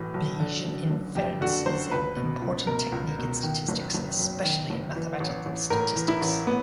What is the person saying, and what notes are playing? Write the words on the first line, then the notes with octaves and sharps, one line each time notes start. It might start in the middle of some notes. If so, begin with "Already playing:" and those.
Bayesian inference is an important technique in statistics, and especially in mathematical statistics.
Already playing: B1 A2 E3
B1
D3
F#1
F#1
F2 G4
D3 F#4
F#1 C5
C#2 B4
B2
C#2
B2 A#4
C#2
B2
D#3
F#1
F#1
F#2
D#3
F#1
E3
A1
A1
A2 A#4
E3
E4
A1
E3 B3